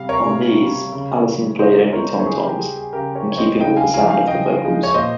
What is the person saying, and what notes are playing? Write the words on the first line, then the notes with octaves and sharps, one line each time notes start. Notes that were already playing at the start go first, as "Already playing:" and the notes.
On these, Allison played only tom-toms, in keeping with the sound of the vocals.
Already playing: C3 G3 F5
A#4 C#5
C3
G3
C#3
G3
C#3 C5 D#5
D#5
G3 A#4 C#5
C#5
C#3 G#4 C5
G4 A#4
G3 G#4
G#4
C#3 G4 A#4
A#4 C#5
G3
C#5
C5 D#5
C#3 D#5 G5
F5 G#5
F3 G#3 F5 G#5
F5 G#5
C#3 D#5 G5
F3 G#3
C#5
A#2 C5 D#5